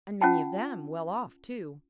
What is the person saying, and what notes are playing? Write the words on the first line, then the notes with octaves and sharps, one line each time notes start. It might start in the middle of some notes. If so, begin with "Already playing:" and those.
And many of them well off, too.
C#4 F4 F#5 G5 A5